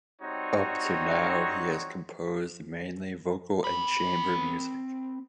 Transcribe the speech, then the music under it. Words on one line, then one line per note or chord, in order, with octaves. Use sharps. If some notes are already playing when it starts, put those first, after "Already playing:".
Up to now he has composed mainly vocal and chamber music.
G3 C4 D#4 F#4 C#5
C4 B5